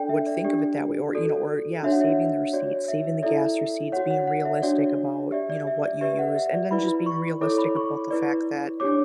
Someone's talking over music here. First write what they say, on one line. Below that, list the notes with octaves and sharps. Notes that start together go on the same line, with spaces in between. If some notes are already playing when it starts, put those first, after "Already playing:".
would think of it that way, or you know, or yeah, saving the receipts, saving the gas receipts, being realistic about, you know, what you use, and then just being realistic about the fact that
Already playing: D4 A4 D5 G5
E5
D5
D4 G4 D5
F#4 A4 D5
D4 F#4 C#5 E5
F#5
E5
F#4 C#5 D5
E5
E4 A4 D5 E5
F#4 C#5 F#5
F#5
F#5
E5
D4 F#4 C#5 D5
G4 D5 E5
D5
E5
D5
G4 B4 D5 E5
F#5
E5
D5
E4 B4 D5 B5
C#6
E4 A4 C#5 D6
B5
C#6
E4 B4 D5
D4 G4 C#5 D6